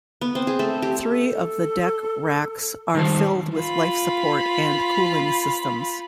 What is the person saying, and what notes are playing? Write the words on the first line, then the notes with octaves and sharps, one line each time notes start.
Three of the deck racks are filled with life support and cooling systems.
B3
C4
G#4
A3
G4
A4
D#3 G3 C5 A5
F4 B5